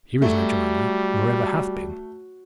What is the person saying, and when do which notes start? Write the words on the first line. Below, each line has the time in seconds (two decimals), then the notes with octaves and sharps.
Here is no Joanna, nor ever hath been.
0.22 F#3 G3 A3